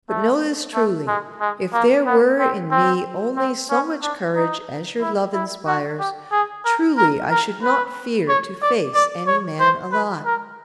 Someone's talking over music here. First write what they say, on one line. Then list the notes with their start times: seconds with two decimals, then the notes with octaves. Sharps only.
But know this truly: if there were in me only so much courage as your love inspires, truly I should not fear to face any man alive.
0.09 A3
0.75 A3
1.07 G#3
1.40 G#3
1.73 A#3
2.06 B3
2.39 C4
2.71 C4
3.37 C4
3.70 C#4
4.02 D4
4.36 D#4
5.01 E4
5.34 E4
5.66 F#4
5.99 G4
6.32 G#4
6.65 A#4
6.97 A#4
7.30 A#4
7.63 B4
8.28 C#5
8.62 D5
8.94 D5
9.27 C#5
9.60 C5
9.92 B4
10.25 A#4